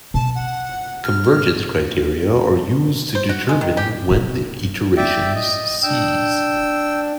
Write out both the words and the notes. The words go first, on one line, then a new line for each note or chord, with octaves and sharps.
Convergence criteria are used to determine when the iterations cease.
B2 A5
F#5
F6
C5
F#4
G#3
D#3
G4
D5 E5 G5
D#5
D4 G5 E6